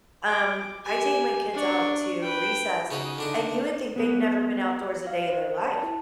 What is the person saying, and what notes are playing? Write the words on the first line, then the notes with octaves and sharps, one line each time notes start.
Um, I take my kids out to recess, and you would think they've never been outdoors a day in their life.
D6
G4 G#5
D4 C#6
B4 G5
C#3 C#4 D#4 F#4
D3 D4 D#4
B3 G#4 B4
F5
C5
A5
E4